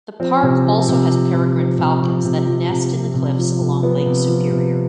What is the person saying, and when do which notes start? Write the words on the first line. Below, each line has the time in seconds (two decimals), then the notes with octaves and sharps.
The park also has peregrine falcons that nest in the cliffs along Lake Superior.
0.20 F3 C4
0.43 C3
0.66 F3
0.88 C3
1.11 F3
1.33 C3
1.56 F3
1.79 C3
2.02 F3
2.24 C3
2.47 F3
2.70 C3
2.92 F3
3.15 C3
3.38 F3
3.61 C3
3.83 F3 B3
4.06 C3
4.28 F3
4.51 C3